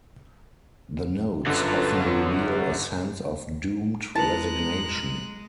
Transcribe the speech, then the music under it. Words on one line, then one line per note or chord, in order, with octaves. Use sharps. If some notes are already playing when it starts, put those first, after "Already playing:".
The notes often reveal a sense of doomed resignation.
G1 F#2 D3 F#3 F4 A4 B4
G#3 E4 A#4 B4 A5 A#5 F#6